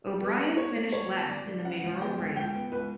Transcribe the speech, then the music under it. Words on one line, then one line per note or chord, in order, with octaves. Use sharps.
O'Brien finished last in the mayoral race.
B3 B4
B3 B4
B3 C#5
G3 D5
C#2 C#5
B3 D5
G3 D5
G3
C#3 F#5
C#2
B3 G5
C#2
C#2 G5
B3
C#2 B4